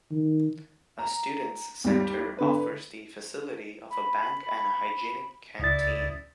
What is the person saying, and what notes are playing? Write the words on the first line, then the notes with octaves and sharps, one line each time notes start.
A Students' Centre offers the facility of a bank and a hygienic canteen.
D#3
A#5
D#2 G3
D3 B4
B5
C#2 E4 D5 D#6 A6